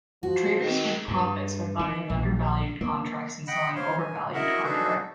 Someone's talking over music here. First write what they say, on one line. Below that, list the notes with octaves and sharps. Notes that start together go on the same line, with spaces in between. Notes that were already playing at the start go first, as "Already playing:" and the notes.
Traders make profits by buying undervalued contracts and selling overvalued contracts.
F3 F#4
D#3
G2
D#3
A#1
A#3
D#5 F#5 G5 B5
C5 C#5 F5 C6
G#5
E4 F#4 A#4 D#5 E5 F#5
D4 D#4 F#4 G#4 A4 B4